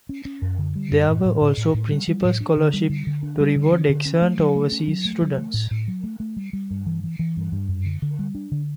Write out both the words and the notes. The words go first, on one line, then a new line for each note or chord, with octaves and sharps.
There were also "Principal Scholarship" to reward excellent overseas students.
C#4
C#4
F#2
D3
G3
F#2
A2
A2
A2
A2
A2
G3
G3
A2
D4
D3
G3
D3
D3
D4
G3
D3
C#4
D3
C#4
A3
F#3
A3
C#4
F#3
A3
F#3
A3
A2
A2
F#3
A3
A3
G3
G3
G2
E3
E3
E3
G2
G2
F#2
D3
D3
G3
D4
D3